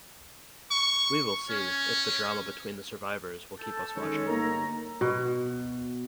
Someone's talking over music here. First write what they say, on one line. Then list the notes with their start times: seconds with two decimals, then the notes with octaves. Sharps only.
We will see if the drama between the survivors will keep us watching.
0.71 C#6
1.50 C#4
3.59 A4 A5 G6
3.96 D#3 G#3 C#4 A4 C#5 G6 C#7
4.28 G1 A#3 D#4 A#4 A#5
5.01 B2